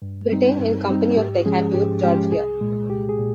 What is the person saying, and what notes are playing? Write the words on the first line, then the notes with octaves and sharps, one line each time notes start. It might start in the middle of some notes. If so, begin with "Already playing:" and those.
Brittain and Company of Decatur, Georgia.
G2
G3 C4 D#4
G2
G3 C4 D#4
G#2 G4
F3 G#3 C#4 G#4
G#2 G4
F3 G#3 C#4 G4
C2 G#4
A#2 G#3
C2 G4
G#4
A#2